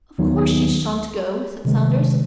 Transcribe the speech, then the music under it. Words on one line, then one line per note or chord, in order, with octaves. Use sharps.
"Of course she shan't go," said Saunders.
D#2 D#3 F#3 B3 D#4
C3 D#3 G#3